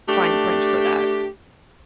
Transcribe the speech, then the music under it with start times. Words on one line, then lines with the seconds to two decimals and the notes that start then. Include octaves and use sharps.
fine print for that.
0.09 A3 D4 G4